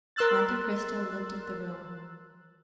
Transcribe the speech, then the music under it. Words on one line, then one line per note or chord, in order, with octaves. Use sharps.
Monte Cristo looked at the room.
A#4 C6 E6 F#6 A6